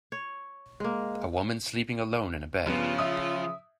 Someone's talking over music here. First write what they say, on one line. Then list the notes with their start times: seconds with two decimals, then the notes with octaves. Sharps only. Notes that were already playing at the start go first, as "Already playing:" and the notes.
A woman sleeping alone in a bed.
0.12 C#5
0.80 G#3 A#3
2.66 G2 C#3 F3 B3 F4
2.98 E5 D#6